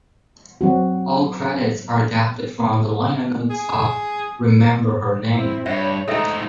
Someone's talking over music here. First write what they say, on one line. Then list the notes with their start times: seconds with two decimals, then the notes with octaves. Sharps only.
All credits are adapted from the liner notes of "Remember Her Name".
0.61 F#3 C4 F#4
3.50 G#4
5.32 C4 E4
5.66 G2 C#5 E5
6.08 G#2 A3 D#4 A4 E5